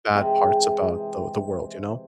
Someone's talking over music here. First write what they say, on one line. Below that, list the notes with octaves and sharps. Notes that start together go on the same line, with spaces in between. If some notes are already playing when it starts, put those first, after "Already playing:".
bad parts about the the world, you know?
C3 E3 G#3 C4